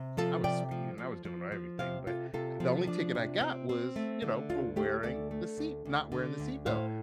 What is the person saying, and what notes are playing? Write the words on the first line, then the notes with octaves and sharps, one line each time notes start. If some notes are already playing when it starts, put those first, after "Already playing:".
I was speeding, I was doing everything, but the only ticket I got was, you know, for wearing the seat not wearing the seat belt.
Already playing: C3
F3 F4 A4
C3 D5 G5
F3
F3
F3
F3
C3 C5 F5
C3 F4 A4
C3 F4 A4
F3
D4
C3
C4
C4
A3
D3
D2 F4
A3 G4
D2 A4 D5
A3
D2
D2
D3
D2
A2 C5 F5